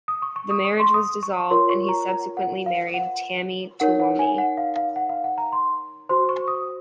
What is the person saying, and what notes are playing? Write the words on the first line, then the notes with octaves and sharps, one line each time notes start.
The marriage was dissolved and he subsequently married Tammy Twomey.
D#6
C#6
C#6
D#6
C#6
C6
D#6
C#6
F4 A#4 C#5 C6
C#6
A#5
A#5
F#5
F5
F#5
D#4 A#4 C#5 F#5
F#5
G#5
F#5
F5
F5
F#5
F5
F#5
A#5
C6
F#4 C5 C6
C#6
D#6